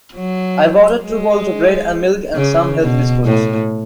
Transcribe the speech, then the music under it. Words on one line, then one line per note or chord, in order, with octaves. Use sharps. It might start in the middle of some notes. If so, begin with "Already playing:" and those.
I've ordered two bowls of bread-and-milk and some health biscuits.
F#3
G#3
C#3
B2
A2